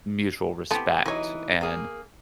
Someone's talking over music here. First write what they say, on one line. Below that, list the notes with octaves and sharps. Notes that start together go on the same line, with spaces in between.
mutual respect and
A3 B3 C4 E4 G4 A5
E3 F#3 D#4 C#5
A#3 G#4